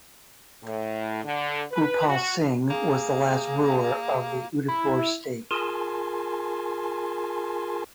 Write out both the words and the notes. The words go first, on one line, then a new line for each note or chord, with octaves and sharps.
Bhupal Singh was the last ruler of the Udaipur State.
A2
D3
B4
F#4
A#3 G#4
E4
F4 G#4 A#4 G#5 A5 C6